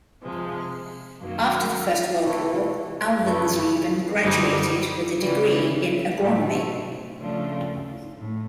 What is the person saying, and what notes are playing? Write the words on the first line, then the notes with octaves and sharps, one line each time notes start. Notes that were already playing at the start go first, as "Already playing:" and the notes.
After the First World War, Alvensleben graduated with a degree in agronomy.
C3 F3 G#3
F#2 D#3 F#3 A#3
C3 E3 A3
F#2 C#3 E3 A3
F#2 D3 G3 C4 D#4
C#3 E3 G3
A2 F#3 A3 C4
C#3 F3 A3 D4 F4
A2